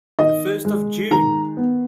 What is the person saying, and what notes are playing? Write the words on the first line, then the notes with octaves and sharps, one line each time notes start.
The first of June!
D#3 D#5
G#3
D#3 A#5
B3